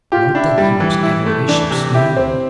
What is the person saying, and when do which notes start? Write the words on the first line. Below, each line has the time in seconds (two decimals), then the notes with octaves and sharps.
Not that he was avaricious--no.
0.12 F4 G4
0.35 D4 E4
0.58 G3
0.80 E3
1.03 E4
1.26 A3
1.48 E3 D4
1.71 C3
1.94 E4 G4
2.17 C4